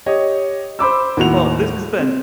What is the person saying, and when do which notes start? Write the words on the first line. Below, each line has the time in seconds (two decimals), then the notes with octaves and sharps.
Well, this has been
0.06 G4 C#5 D#5
0.79 C5 B5 D6 E6
1.17 D#2 A2 F#4 F7
1.98 C4